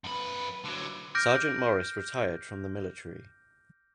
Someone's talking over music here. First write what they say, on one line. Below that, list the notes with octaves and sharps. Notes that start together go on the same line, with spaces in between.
Sergeant Morris retired from the military.
F#2 B4
D3 F#3
D6 F6 G6 A#6 D7